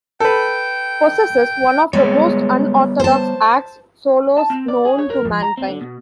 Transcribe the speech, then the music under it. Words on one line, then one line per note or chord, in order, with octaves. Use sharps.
Possesses one of the most unorthodox 'axe' solos known to mankind.
A4 B4 G5
G3 G#3 B3 C#5
C5 A5
A5
C4
D5
G#4
C#5
A#4
F3
A#5
C4
D3
B2